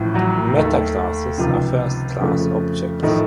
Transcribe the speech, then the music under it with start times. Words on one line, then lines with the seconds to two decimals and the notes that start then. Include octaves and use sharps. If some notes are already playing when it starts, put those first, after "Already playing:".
Metaclasses are first class objects.
Already playing: A1 A2 F3
0.14 F#3 F#4
0.55 D#2 D#3 A3 A4
1.38 C#2 C3 D#3 F3 F4
2.20 F2 C#3 F3 A3
3.03 A2 D#3 F3 A3 D#4